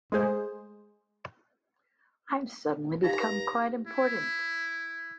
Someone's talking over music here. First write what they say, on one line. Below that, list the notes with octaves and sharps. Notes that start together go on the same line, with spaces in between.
I've suddenly become quite important.
G#3 A3 G#4 C5
D#4 G4 F5 A#5
E4